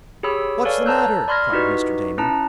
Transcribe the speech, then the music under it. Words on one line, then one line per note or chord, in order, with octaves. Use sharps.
"What's the matter?" cried Mr. Damon.
G4 G#4 C#5 B5 E6
A4 B4 C#5 D5 F5 G#5
A5 A#5 E6 F#6 G6
D5 B5 C6 F6 G#6 A#6
D#4 E4 F#4 G4 B4 D#5
C#4 E4 A5 A#5